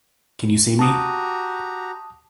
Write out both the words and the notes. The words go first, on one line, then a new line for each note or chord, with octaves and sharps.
Can you see me?
F#4 G4 A5 A#5 D#6